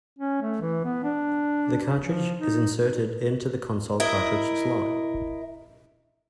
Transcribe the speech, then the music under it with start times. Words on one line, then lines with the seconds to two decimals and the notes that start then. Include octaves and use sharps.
The cartridge is inserted into the console cartridge slot.
0.19 C#4
0.41 A3
0.61 E3
0.85 B3
1.04 D4
2.03 F3
2.40 D#4
4.00 E4 A#4 D#5